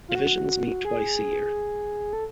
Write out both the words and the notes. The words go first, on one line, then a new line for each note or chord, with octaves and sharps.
Divisions meet twice a year.
F4
F#4
G#4
A4